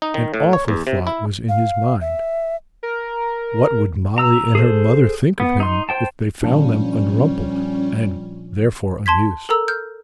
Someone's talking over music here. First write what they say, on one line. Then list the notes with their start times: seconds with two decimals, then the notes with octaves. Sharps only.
An awful thought was in his mind: What would Molly and her mother think of him if they found them unrumpled and therefore unused?
0.02 D#4
0.14 D#3
0.34 A2
0.53 C#5
0.68 E2
0.87 C3
1.07 E4
1.49 F5
2.01 E5
2.83 A#4
4.18 A#5 E6
4.55 G#4 A4 C5
5.40 B3
5.60 D#4 C6
5.89 C5 G5 A5
6.43 A#2 F3 G3 C#4 D4
9.06 A5 C6 G#6 B6
9.49 A4 A#4 A#5 E6
9.68 F6 G6